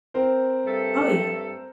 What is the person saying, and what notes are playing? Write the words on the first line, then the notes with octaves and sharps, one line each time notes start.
Oh, yeah.
C4 A#4 C5
G2 A3 A4